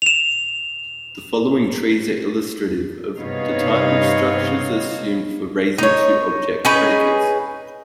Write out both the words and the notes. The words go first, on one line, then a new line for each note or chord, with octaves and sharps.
The following trees are illustrative of the type of structures assumed for raising-to-object predicates.
E7 F7
G2 C3 B3 D#4 C#5 F5
D#4 C#5
C#4 D#4 G#4 B4